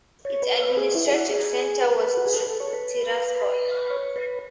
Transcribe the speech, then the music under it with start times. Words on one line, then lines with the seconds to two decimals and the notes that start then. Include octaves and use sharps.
Its administrative centre was Tiraspol.
0.25 C#5
0.42 B4
0.60 B4
0.77 G#4
0.95 E4
1.06 G#4
1.12 F#4
1.29 G#4
1.82 B4
2.17 F#4
2.26 G#4
2.34 A4
2.41 B4
2.47 A4
2.60 C#5
2.68 A4
2.73 B4
3.90 C#5
4.16 B4